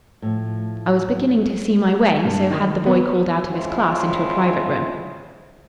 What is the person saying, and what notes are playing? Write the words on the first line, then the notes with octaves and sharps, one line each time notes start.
I was beginning to see my way, so had the boy called out of his class into a private room.
A2 F3
G2
D#3
B3
F3 G#3 C4 C#4 E4 F4